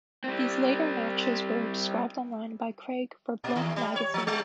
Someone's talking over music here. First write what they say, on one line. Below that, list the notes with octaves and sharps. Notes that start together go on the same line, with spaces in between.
These later matches were described online by Craig for Bluff Magazine.
G3 C4
A#2
D#2
G3
C#5
F3
G3